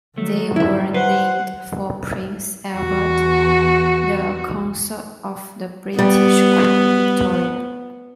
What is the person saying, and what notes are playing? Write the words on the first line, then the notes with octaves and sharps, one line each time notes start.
They were named for Prince Albert, the consort of the British Queen Victoria.
D#3 F#3 A3
G#2 E4 E5
B4 C5 F#5
E2 F#4
G3 B3